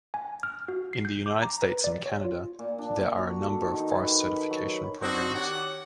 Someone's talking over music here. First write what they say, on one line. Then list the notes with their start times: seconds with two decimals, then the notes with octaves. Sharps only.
In the United States and Canada, there are a number of forest certification programs.
0.14 G#5
0.43 F6
0.68 F#4
0.93 C7
1.05 G6
1.26 D6
1.42 A#5
1.62 B4
1.84 D5
2.06 C#5
2.24 F4
2.59 A#2
2.78 D4
3.03 A#5
3.18 F#4
3.41 A4
3.61 D#3
3.79 D#4
3.95 B4
4.08 G5
4.37 B5
4.50 F#3
4.69 B5
5.02 C4 D4 D#4 F#4
5.34 D#3 G4 C#5 D5 F#5